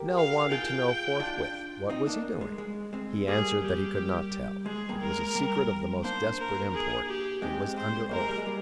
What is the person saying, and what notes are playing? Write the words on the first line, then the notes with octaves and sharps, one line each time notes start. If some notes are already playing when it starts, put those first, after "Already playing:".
Nell wanted to know forthwith what was he doing; he answered that he could not tell, it was a secret of the most desperate import; he was under oath.
Already playing: G4 A#4
F5
F4 G#4 G5
D4 F4
C4 D#4
A#3 D4
G#3
G#3
G#3 C4
G3 A#3 G#4
G4
G#3 G#4
G3 A#3
A#4
G#3
G3 A#3
A#3 D4 C5
A#4
G#4
G4
G#3 C4 G4
C5
A#3 A#4
G#3
G3
G#3
G3 A#3